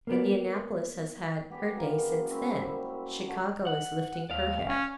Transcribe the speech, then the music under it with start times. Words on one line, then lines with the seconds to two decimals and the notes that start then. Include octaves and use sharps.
Indianapolis has had her day since then, Chicago is lifting her head.
0.07 A#3 B3 D5
1.50 B3 G4 G#4 D5
1.76 F#2 E3 A#3
2.30 G#3 C4 C#4 E4
2.59 F#2 F#3 G3
3.28 D3 F#4
3.67 F#5
4.30 D#2 D5 F5
4.67 C#4